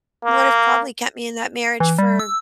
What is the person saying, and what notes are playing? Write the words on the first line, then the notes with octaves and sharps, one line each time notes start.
would have probably kept me in that marriage for
A#3
E3
G3
E6